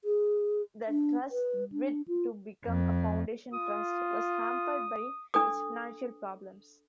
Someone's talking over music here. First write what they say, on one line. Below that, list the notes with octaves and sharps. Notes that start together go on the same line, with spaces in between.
The Trust's bid to become a Foundation Trust was hampered by its financial problems.
G#4
D4
B4
D4
F4
F2
F4 D#6
D4 A4 D#6